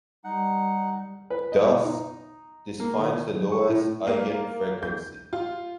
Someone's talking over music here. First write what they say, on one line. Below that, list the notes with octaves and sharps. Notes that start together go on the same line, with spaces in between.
Thus, this finds the lowest eigenfrequency.
G3 D#4 F#5
B4
D#5
B2
D#4
A#3
D#3
C#6
A2
A#3
G6
F4